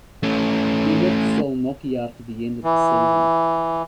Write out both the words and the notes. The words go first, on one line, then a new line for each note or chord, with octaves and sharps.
He left Szolnoki after the end of the season.
A3 C#4
E3